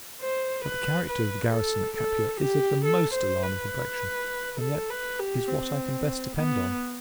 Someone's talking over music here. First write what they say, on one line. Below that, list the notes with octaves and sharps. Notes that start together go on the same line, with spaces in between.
But the character of the Garrison at Capua is of the most alarming complexion; and, yet, is what I can best depend on.
C5
B4
B4
A4
A4
G4
A4
C5
B4
A4
B4
G4
C4
B3